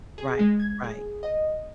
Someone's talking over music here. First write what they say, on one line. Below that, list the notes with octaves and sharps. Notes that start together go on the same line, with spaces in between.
Right, right.
G#4
G#3
G#6
G#4
D#5